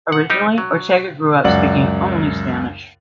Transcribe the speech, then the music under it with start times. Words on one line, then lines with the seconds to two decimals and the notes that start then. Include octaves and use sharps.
Originally, Ortega grew up speaking only Spanish.
0.12 F#5
0.30 G3 D#4 G4 C5
0.58 F#3
1.44 C#2 F#2 D5 F#5 F#7